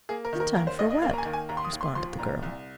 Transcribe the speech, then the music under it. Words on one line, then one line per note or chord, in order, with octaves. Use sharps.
"In time for what?" responded the girl.
A#3 G#4
A#4
D#3
A#4
D#2 A#4
C5
D#2 D#5
D#5
A#3 F5
A#5
G#5
D#3
G#5
D#2 A#5
C6
D#6
D#2
C6
F3 C6
A#2 A#5
C2